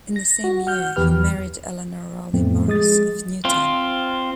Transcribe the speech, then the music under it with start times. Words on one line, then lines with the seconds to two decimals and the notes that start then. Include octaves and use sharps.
In the same year he married Eleanor Rowley Morris of Newtown.
0.16 A#6
0.44 F#4
0.67 F#5 F6 G6
0.96 E2 G4 B4 F6
2.33 F2 A2 F3 A3 B3 C4
2.67 F3 G#3 D#6 A6
3.45 C4 F4